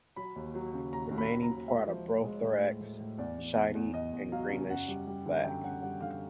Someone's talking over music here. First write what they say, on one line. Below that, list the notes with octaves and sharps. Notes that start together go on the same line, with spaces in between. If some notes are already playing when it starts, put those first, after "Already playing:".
Remaining part of prothorax shiny and greenish black.
F#3 B5
D#2
F#3
C#3
D#2 A#5
D#2
B5
D#2
A#5
F#3
G#3 E5
F3
F3
G#3
A2
G#3
A2
A2
E2 D5
E2
E2
E2
E2 D#5
E2
F#3 F5
C#3
F#2 F#5
G3
G3
D3
F#2 G5
F#2 F#5
G3 F#5
D3 F5